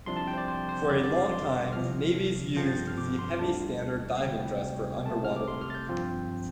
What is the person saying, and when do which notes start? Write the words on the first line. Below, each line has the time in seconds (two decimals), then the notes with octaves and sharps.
For a long time navies used the heavy standard diving dress for underwater work.
0.06 C2 C3 F3 D4 C6
0.17 A5
0.27 G5
0.33 C5
0.38 D5
0.48 C5
0.69 C5
0.89 F2 D3 G3 D5
1.03 D5
1.17 F5
1.31 C6
1.51 D6
1.73 C2 C3 F3 F6
2.56 G2 D3 F3 C4 F4 G6
2.66 A6
2.77 G6
2.87 F6
2.97 D6
3.19 C6
3.39 D2 D3 G3 D4 A5
4.17 F5
4.22 D2 C3 G3 G5
5.06 C2 C3 A3 A5
5.24 F6
5.36 D6
5.48 C6
5.61 F6
5.70 A6
5.75 G6
5.89 G2 F3 C4 F4